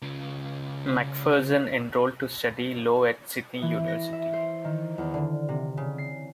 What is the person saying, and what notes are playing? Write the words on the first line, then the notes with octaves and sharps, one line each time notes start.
Macpherson enrolled to study law at Sydney University.
C#3 F4
E3
A#6
E5
C5
D#3
E2
D3
C3
C#3
C7